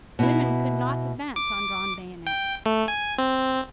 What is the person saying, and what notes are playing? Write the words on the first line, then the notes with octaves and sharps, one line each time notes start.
Women could not advance on drawn bayonets.
B2 E4
D6
G5
A3
G#5
C4